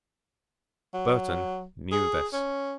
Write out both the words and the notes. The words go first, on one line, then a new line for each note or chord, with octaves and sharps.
Burton knew this.
F#3
G#4
C#4